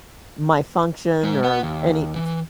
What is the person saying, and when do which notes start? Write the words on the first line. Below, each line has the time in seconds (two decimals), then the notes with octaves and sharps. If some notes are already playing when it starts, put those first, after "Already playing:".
my function or any p
1.23 G#3 C5
1.44 B4 F#5
1.63 D#2
2.16 E3